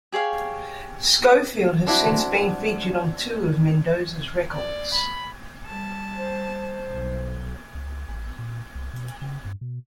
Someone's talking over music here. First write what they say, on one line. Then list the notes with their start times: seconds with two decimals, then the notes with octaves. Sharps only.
Scofield has since been featured on two of Mendoza's records.
0.12 G4 G#4 C#5 F5
1.87 C4 D4 E4 F#4
4.53 D5
4.94 B5
5.66 G3 A5
6.17 C5
6.89 B1
7.74 C#2
8.08 A1
8.39 A#2
8.75 C2
8.93 B2
9.22 C#3
9.45 G2
9.61 B2